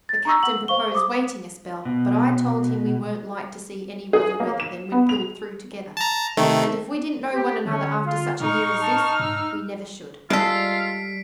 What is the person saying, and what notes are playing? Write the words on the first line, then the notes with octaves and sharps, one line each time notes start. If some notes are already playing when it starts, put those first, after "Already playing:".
'The captain proposed waiting a spell; but I told him we weren't like to see any rougher weather than we'd pulled through together, and if we didn't know one another after such a year as this, we never should.
A6
A#5 C#6 E6
F#5 F#7
C5 F5 C#6 G7
D6 D#6
B2
G#4
A#3
E7
B3
F7
A5 A#5
C3 D#3 A3
G4
D3 C#4
F4
A2 D#4 C#6 F6
A5 C#6
G#2 E6
G3 G#3 F4 A4 B6 C7 D7